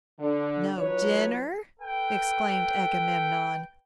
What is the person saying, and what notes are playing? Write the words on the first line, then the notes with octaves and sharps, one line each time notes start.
"No dinner!" exclaimed Agamemnon.
D3
F3 F#3 D#4 B4 C#5
A4 B4 G5